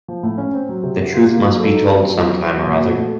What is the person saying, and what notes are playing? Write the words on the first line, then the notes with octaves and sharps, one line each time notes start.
The truth must be told some time or other.
F3
A2
C#4
C4
F#3
C3
F#4
F4
A#3
F#3
A4
D#4
C4
F#3
F#3
C4
F#3
A#2
F#4
A3